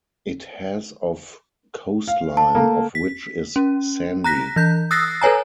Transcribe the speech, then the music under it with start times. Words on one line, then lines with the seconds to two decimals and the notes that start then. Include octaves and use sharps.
It has of coastline, of which is sandy.
2.08 F5
2.37 A5
2.55 A3 A#3
2.95 B6
3.56 C#4
4.24 A#5 F#6 A#6 B6
4.56 E3 G6
4.91 D#6 E6 F#6 A6 A#6 C7
5.22 A4 B4 C#5 G#5 A#5